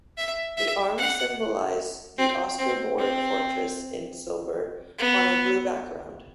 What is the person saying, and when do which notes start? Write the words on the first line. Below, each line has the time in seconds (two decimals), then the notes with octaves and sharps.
The arms symbolize the Oscarsborg Fortress in silver on a blue background.
0.17 E5
0.57 E5
0.97 F#5
2.18 C4
2.58 C4
2.98 C4
4.99 B3